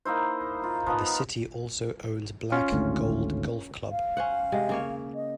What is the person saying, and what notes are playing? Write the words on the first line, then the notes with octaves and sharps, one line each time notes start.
The city also owns Black Gold Golf Club.
A#3 D#4 E4 C5
F4
F3 B3 D#4
C#4 F4
G#1 D2 A2
F5
C#4 C5 F#5
C3 G#3
C#3 A#3 C#5
D#5